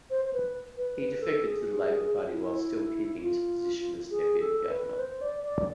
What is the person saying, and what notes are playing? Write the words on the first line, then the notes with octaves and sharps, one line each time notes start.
He defected to the Labour Party while still keeping his position as deputy governor.
C5
C5
B4
B4
B4
A4
G#4
E4
F4
G#4
A4
B4
C5
D5
D5